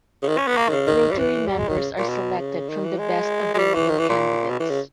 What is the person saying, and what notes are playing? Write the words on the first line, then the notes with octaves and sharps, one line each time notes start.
Rotary members are selected from the best available candidates.
C#3
D#3
C#4
B3
A#3
D#3
C#3
D#3
G3
E3
G3
G#3
D#3
C#3
A#2
B2
C#3
D#3
E3
G#3
G#3
G3
E3
D#3
E3
A#2
B2
E3
C#3